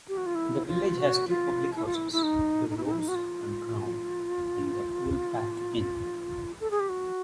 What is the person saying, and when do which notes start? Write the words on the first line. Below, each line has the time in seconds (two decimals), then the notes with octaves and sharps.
The village has two public houses: The Rose and Crown and The Woolpack Inn.
0.08 G4
0.17 F#4
0.26 F4
0.35 E4
0.67 F4
0.98 F#4
1.29 F4
1.76 E4
1.86 F4
1.95 E4
2.12 E4
2.23 D#4
2.70 D#4
2.77 E4
2.84 D#4
2.91 E4
2.99 D#4
3.08 F#4
3.15 F4
6.60 A4
6.71 G#4
6.80 G4
6.89 F#4